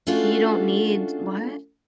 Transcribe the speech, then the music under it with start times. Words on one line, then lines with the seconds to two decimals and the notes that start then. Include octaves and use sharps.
you don't need what?
0.07 G#3 A3 C#4 D4 F4 F#4